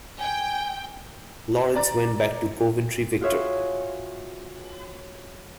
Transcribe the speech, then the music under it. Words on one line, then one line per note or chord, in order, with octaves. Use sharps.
Lawrence went back to Coventry-Victor.
G5 G#5
D5 A#5 A6
F4 F#4 G#4 C#5 E5 F5